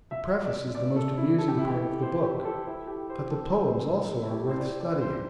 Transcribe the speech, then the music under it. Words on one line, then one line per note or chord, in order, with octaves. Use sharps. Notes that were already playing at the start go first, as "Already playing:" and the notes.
The preface is the most amusing part of the book, but the poems also are worth studying.
E5
D5
D5
A4
E4
A4
G4
E4
G4
C5
G4
A4
E4
G4
C5
A4
E4
G4
A4
C5
D5
D5
C5